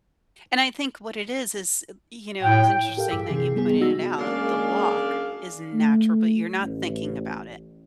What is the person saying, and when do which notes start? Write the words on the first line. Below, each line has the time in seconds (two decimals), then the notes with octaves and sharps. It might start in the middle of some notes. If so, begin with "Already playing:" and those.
And I think what it is is, y you know, it was interesting that you pointed it out. The walk is natural, but you're not thinking about it.
2.43 A2 G5
2.97 G4 A4 A#4 F5
3.10 G2 G#4 D6 E6 B6
3.28 C3 E3 G#4 C7
3.55 G3 B3 G#4
3.80 G#3 D#4 F#4 E6 A#6
4.19 F#2 G#3 A#3 C#4 D4 G#4 F5
5.73 A3
6.60 A1